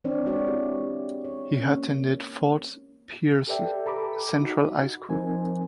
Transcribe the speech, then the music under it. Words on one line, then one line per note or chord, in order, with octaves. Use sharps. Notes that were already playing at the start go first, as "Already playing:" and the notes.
He attended Fort Pierce Central High School.
E3 C4 D4 C#5 D5
G#3 D4 F#4 C#5 D5
E4 G4 B4
C#5
A#3 C#4
G4 A4 B4 D5 E5 G5
A4 A#5 B5 D6
D#4 F#4
F3 C4 D#4 A#4 C5 G#5